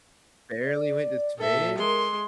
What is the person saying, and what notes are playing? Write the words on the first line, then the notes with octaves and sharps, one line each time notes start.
barely went to space?
D5
A#2 A4 E5
G#3 A#4 C6